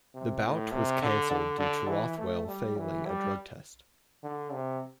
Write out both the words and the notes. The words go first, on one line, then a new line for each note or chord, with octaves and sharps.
The bout was canceled due to Rothwell failing a drug test.
C3
A2
C3
D3
D3
D3
E3
A3
G3
E3
G3
D3
C3